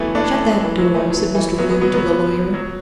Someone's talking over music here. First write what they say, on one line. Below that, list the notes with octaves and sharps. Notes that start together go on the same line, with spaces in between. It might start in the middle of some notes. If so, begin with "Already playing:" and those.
"Shut that door," said Mr. Bloom to the lawyer.
Already playing: E3 F#3 A3 B3
A3 D4
E3
F#3
E3 A3
F#3
E3 A3
F#3 B3
F#3 B3
F#3 B3
F#3 B3
F#3